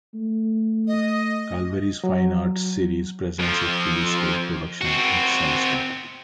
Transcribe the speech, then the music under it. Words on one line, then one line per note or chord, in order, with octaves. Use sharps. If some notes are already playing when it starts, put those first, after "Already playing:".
Calvary's Fine Arts Series presents a fully staged production each semester.
A3
D#5
F#3
F2 F3
C4 F#4